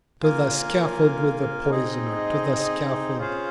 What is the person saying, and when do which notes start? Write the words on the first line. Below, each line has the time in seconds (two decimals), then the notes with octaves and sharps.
To the scaffold with the poisoner--to the scaffold!
0.22 A#3 F4 A#4 F5 G#5
1.70 C4 D#4 G#4 D#5
3.18 C#4 F4 G#4 C5 F5